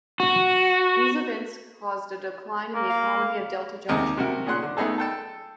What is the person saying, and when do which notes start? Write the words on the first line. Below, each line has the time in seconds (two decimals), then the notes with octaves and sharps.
These events caused a decline in the economy of Delta Junction.
0.20 F#4
2.75 A#3
2.89 F5
3.89 D#2 C3 G#3 C4 D#5
4.17 C3 F#4 A#4
4.46 A#2 C#3 G#4 F#5 C6 F#6
4.62 D3
4.77 A3 B3 D#4 G#4 A4
4.98 A4 G5 A5